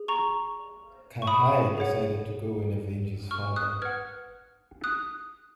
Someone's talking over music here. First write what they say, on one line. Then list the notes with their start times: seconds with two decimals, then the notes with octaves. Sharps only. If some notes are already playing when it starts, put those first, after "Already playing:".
Kaha'i decided to go and avenge his father.
Already playing: G#4
0.08 A#5 C#6
1.22 C#6
1.27 B5 D#6
1.78 G#4 C#5 F#5
3.31 C#6 F6
3.56 D#6 F#6
3.82 B4 F#5 F6 G#6
4.84 D#6 F#6